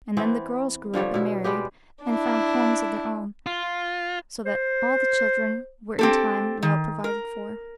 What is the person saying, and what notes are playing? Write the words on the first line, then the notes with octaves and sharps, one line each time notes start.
And then the girls grew up and married, and found homes of their own, so that all the children were in time well provided for.
E3 B3 C4
D3 F3 G3 C#5
B2 E4
G3 G#3 B3 G4
D4 E4
F4
C5
C4 G4 A4
D#3
A#4